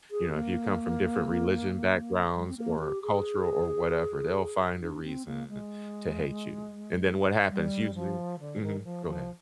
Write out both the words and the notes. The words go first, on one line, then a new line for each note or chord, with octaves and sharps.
You know, if you come from different religion backgrounds or cultural or whatever, they'll find a reason to hate you, and then what happens usually Mhm. Go ahead.
G#4
A#3
G3
C4
A#3
G4
G#4
D4
C4
A#3
G#3
G3
F3
D3
D#3
G3
F3
F3